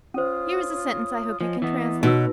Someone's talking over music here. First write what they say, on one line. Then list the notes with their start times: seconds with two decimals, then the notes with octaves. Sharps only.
"Here is a sentence I hope you can translate."
0.14 C#4 F4 C5 C#5 D#6
1.41 F3 C#5 D#5 G#5
1.62 E3 B3 D#5 D#6
2.03 B2 D#4 F#4 B4 C#5 E6